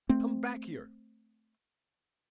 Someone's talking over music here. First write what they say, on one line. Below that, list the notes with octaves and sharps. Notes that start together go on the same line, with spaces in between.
Come back here!
A3 C4